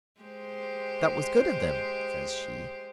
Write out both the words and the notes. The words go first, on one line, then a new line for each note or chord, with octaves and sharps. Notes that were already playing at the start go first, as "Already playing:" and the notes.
'That was good of them,' says she.
G#3 G4 C5